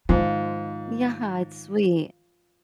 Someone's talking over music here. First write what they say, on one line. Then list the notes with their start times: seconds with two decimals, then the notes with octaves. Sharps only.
Yeah, it's sweet.
0.09 G#2 D#3 F4